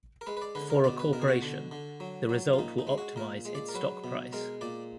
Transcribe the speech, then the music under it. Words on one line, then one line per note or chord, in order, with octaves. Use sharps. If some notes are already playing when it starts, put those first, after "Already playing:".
For a corporation, the result will optimize its stock price.
A#4
G#3 B4
B4
D5
D3 B4
A#4
B2 D5
B4
B2 A#4
G#4
F#4
D3
D3
F#3
F#3
F4
A#2 D#4
D#4
G#3
F#4
A#2 A#4
G#3
D5
A#4
F#3 B4
B2
G#3 A#4
A#2 D5